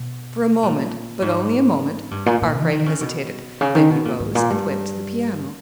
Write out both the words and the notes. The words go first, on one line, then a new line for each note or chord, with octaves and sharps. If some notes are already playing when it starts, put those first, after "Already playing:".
For a moment--but only a moment--Arkwright hesitated; then he rose and went to the piano.
Already playing: B2
A#2
G#2
G2
A#2
A#2
E3
D#3
C#3
B2
C#3
D#3
B2
A#2
G#2
A#2
G2